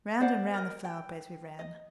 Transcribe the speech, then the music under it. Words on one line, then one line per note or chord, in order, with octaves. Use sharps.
Round and round the flower-beds we ran.
C5 D5 F#5
A#4 D#5
G5
D#5